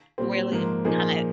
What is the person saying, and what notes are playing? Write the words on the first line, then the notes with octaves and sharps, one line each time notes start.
Really kinda
A#2 G3 C4
G#2 F3 A#3
A#2 F3 A#3 D#4 G#4